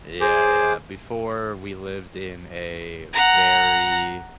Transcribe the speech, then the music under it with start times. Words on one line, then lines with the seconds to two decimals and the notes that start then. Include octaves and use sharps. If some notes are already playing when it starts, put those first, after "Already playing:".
Yeah, yeah, before, we lived in a very,
0.21 G#4 C5 D6
3.13 F#5 A#5